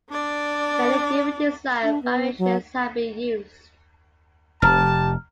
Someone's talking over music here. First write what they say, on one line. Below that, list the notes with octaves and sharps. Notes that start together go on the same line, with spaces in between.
Many different design variations have been used.
D4 D5
D4
B3
F#3
F1 G4 A5 A#5 F6